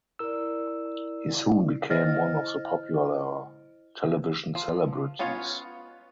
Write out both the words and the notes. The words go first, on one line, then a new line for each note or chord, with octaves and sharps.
He soon became one of the popular television celebrities.
E4 A#4 D5 E6
E4 C5 D#5 F6 A6 A#6
F3
B3 C#4 F4 C#5 D#5